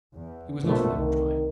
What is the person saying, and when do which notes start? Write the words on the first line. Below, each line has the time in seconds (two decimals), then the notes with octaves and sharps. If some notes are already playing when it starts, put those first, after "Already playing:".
It was not a long drive.
0.14 E2
0.64 A#1 B2 D3 A3
0.97 C2 D#3